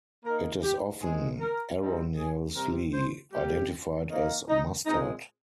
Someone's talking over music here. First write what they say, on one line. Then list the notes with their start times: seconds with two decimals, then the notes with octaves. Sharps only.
It is often erroneously identified as mustard.
0.24 D#3 A#3 A#4
0.63 G4
1.01 D#3 G#3 C4 G#4
1.40 A#4
1.77 D#3 G3 C4
2.16 G#4
2.55 C3 G3 C4 A#4
2.93 C5
3.32 C3 G3 A#3 G4
4.09 D#3 A#3
4.48 D#4
4.86 A#2 G#3 C4 D#4